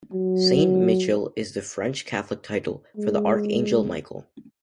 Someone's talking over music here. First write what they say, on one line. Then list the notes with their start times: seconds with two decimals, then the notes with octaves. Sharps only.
Saint-Michel is the French Catholic title for the archangel Michael.
0.14 F#3
2.97 G#3